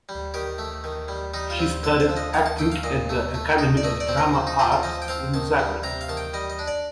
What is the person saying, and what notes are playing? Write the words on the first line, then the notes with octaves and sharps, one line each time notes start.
He studied acting at the Academy of Drama Art in Zagreb.
G3
D#3 G4
A3
D#3
G3
G3 D#4
F4
C4
D3 A4
C5
F3
D#5
D#3 F5
A5
A3 G5
F5
A#2 D#5
A3
A3
D#4
D5
A3 D#5
D5
C4
A#4
F3
D#4
C4 F4
F4
F3 D#5
G5
C4 F5
D#3 A5
G3
C3 A#5
F5
D#3 A5
G5
G3 D#5
D#5
D4
D5